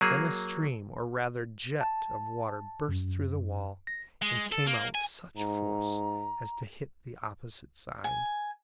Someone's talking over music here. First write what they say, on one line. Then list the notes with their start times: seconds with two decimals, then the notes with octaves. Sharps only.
Then a stream, or rather jet, of water burst through the wall and came out with such force as to hit the opposite side!
0.01 F#3 A#3 G#4
1.81 A5
2.89 F#2
3.87 A#6
4.22 G#3
4.52 A4
4.66 A#3
4.95 G#5
5.37 G#2 A#5
8.04 G#5